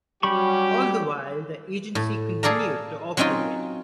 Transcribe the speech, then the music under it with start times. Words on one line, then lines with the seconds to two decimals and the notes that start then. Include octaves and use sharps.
All the while, the agency continued to operate.
0.23 F#3 G3 C#4 F#4 G4 B5 C#6
1.95 A2
2.43 G#4 A4 D5 F5 A#5
3.17 F#3 C4 C#4 D#4 F4